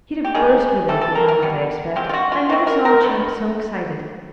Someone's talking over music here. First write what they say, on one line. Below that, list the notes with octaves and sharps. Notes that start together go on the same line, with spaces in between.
He'd have burst with it, if he hadn't, I expect; I never saw a chap so excited.
G4
D#3 G3 A#3 C#4 G#4
E3 A3 C4 A4
A4
A#4
A#4
B2 G3 B3
F3 G#3 C4 G4
F4
F#4
F4
E3 G#3 C4 F#4
A#4
A#4
D3 F#3 B3 B4